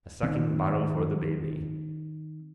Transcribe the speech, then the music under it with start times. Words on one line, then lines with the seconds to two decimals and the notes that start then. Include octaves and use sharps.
A suckingbottle for the baby.
0.23 D#3 C4